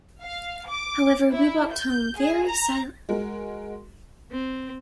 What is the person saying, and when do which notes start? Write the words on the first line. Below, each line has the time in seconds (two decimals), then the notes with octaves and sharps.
However, we walked home very silently.
0.22 F5
0.69 D6
1.33 E4
1.74 G6
2.18 G#4
2.47 A#5
3.09 G#3 F#4 A#4
4.31 C4